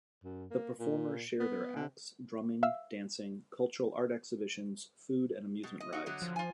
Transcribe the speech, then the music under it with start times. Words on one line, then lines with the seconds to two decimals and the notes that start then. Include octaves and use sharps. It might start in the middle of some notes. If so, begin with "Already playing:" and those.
The performers share their acts, drumming, dancing, cultural art exhibitions, food and amusement rides.
0.24 F#2
0.51 A#3
0.80 A#2
1.40 B3
1.76 D3
2.63 E5 F5 E6
5.63 B2
5.80 D#5
5.93 D#4 F#4
6.06 D3 F#3 D#5
6.22 F3
6.36 F4 G#5